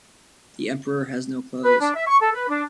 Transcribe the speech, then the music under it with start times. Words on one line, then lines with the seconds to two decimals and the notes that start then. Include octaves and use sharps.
The emperor has no clothes.
1.64 B4
1.80 D4
1.95 E5
2.07 C#6
2.21 A4
2.34 B4
2.49 D4